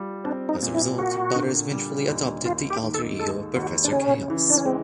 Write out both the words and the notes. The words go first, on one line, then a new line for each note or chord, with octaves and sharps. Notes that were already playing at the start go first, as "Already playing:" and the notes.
As a result, Butters vengefully adopted the alter ego of Professor Chaos.
Already playing: G3 F4
C4 D4
D#4
A#2
E4
A#3 F#4
D3
G3
D#2
D#2 F4
G4
D#3
A4
G#3 A4
D#2 F#4
D4
C#3 C#4
E3
D4
C#4
G#3 C4